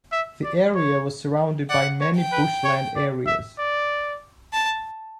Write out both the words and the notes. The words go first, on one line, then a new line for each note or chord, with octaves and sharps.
The area was surrounded by many bush land areas.
E5
D5
C#5
D5 F#5
C#5
G5
B4
C#5
D5
E5
D5
A5